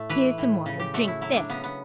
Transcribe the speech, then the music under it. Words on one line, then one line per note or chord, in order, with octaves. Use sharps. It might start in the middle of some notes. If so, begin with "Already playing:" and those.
"Here's some water, drink this!"
Already playing: A2 A3
E3 B4
A2
C#3
G4
A3 F#4
E4
F#3 E4
D4
C#3 B3
B3